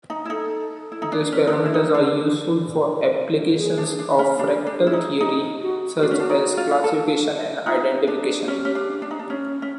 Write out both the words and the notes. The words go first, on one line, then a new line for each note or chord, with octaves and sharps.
These parameters are useful for applications of fractal theory such as classification and identification.
D#4
E4
D#4 A4
E4
D#4
D4
C#4
D#4
D4
E4
D#4
D4 A#4
G#4
D4
D4
C#4
D4 G4
D4
G#4
E4
D#4
D#4 G4
F#4
G4
D4 F#4
C#4
D4
D#4
F4
A4
D#4 F4
G4
D4
G4
G#4
F#4
C#4 G4
C#4
D4
D4
D#4
D4
C#4
C#4